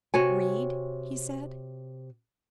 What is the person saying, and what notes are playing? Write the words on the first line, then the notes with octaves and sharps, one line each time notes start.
"Read?" he said.
C3 F#4 C#5 G#5